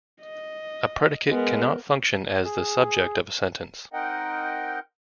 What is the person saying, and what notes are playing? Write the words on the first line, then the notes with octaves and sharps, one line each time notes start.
A predicate cannot function as the subject of a sentence.
D#5
G#3 B3 A#4
G#4
C4 D#4 A#4 D#5 F#5 G5